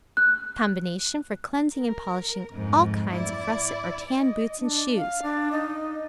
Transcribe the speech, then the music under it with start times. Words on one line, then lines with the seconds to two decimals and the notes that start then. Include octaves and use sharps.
Combination for cleansing and polishing ALL kinds of russet or tan boots and shoes.
0.17 F#6
1.75 A#4
2.53 F2 G#2
3.13 E4 D5
4.18 D#5
4.58 D4
4.96 F5
5.23 D4
5.52 D#4